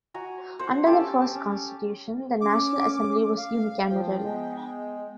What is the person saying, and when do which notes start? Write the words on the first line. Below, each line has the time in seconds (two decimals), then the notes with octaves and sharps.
Under the first constitution, the National Assembly was unicameral.
0.14 F#4 G#5 A#5
0.59 C5 F#5
0.86 C#4 G4 A4 A5
1.35 C#4
2.41 C#4 D6
3.37 F5
3.89 F3 G5
4.24 G#3 B3